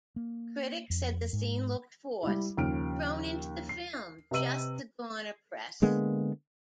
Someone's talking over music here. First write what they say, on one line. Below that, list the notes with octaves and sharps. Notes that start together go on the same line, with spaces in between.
Critics said the scene looked forced, thrown into the film just to garner press.
A#3
F2
G#2
G3 E4
D#2 C#3 F3 F6 D7
C7
C3 B4 D#5 E6 D#7 F#7
D3 G#3 A#3 B3